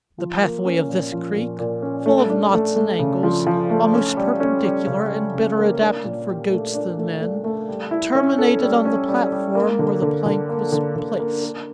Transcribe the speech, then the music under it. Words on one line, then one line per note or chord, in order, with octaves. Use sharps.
The pathway of this creek, full of knots and angles, almost perpendicular, and better adapted for goats than men, terminated on the platform where the plank was placed.
F3
A#3
C#4
A#2
F3
A#2
A#2
C#4
A3
D4
A3
A3
C#3
F3
F3
A3
C#4
G3
C#4
G3
C#3
G3
C#3
A#3
D4
A#2
G4
A3
D4
A3
A3
A3
G3
E4
C#4
A4
G3
C#4
G3
G3
A#3
D3
D3
D3
A#3
D3
D3
A#3
A#4